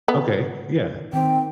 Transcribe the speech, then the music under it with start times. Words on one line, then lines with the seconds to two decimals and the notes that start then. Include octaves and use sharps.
Okay. Yeah.
0.08 B3
1.13 D#3 C4 G5